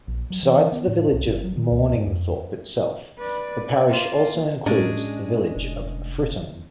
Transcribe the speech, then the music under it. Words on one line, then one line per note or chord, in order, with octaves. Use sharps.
Besides the village of Morningthorpe itself, the parish also includes the village of Fritton.
A#1
F#3
E3
B3
A2
C2
G1
F#3
D#3
C#2
G#2
F2
B4 D5
A#3 F4
A2 G#3 C#4 D4 A#4
F1